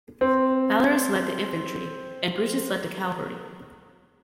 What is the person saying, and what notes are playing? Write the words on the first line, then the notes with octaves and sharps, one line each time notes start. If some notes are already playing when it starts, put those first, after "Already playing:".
Valerius led the infantry, and Brutus led the cavalry.
C4